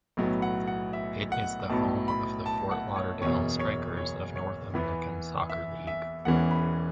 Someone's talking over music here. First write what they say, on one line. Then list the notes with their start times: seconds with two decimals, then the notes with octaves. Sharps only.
It is the home of the Fort Lauderdale Strikers of North American Soccer League.
0.17 B1 A2 F#3 B3
0.42 F#5
0.68 F#5
0.93 E5
1.32 F#5
1.69 B1 A2 F#3 B3 A5
2.08 B5
2.46 A5
2.71 F#5
2.96 C#5
3.21 F#1 E2 B2 C#5
3.59 C#5
3.97 C#5
4.36 C#5
4.74 E2 E3 B3
5.50 E5
5.87 E5
6.25 E1 E2 E3 C#4 F#5
6.51 B5